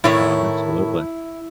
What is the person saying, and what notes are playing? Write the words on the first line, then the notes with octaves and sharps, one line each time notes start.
No, and absolutely.
A2 D#3 E4 C#5